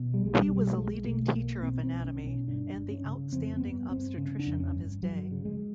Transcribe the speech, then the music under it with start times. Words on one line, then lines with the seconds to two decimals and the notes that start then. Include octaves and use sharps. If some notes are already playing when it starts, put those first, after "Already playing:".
He was a leading teacher of anatomy, and the outstanding obstetrician of his day.
Already playing: B2
0.14 G3
0.21 B1
0.26 G#3
0.35 G3
0.49 B2
0.56 G3
0.71 A3
0.77 B1 G#3
1.06 B2 A3
1.34 B1 A#3
1.63 B2 C4
1.83 C4
1.91 B1
2.05 C#4
2.19 B2
2.27 C#4
2.48 G1 D4
2.75 G1
2.91 C#4
3.05 C#3
3.32 F2 C4
3.57 C4
3.60 G1 B3
3.90 G1 C4
4.17 C#3 C#4
4.39 D4
4.47 F2
4.60 C#4
4.75 G1
5.02 G1 F#3
5.31 C#3
5.45 G#3